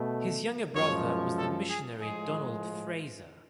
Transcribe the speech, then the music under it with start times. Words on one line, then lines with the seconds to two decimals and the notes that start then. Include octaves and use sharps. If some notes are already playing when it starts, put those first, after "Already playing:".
His younger brother was the missionary Donald Fraser.
Already playing: B2 A3
0.74 F#2 F3 G#3 C#5
1.37 A4
1.68 G#4
2.00 A2 F3 G#3 G#4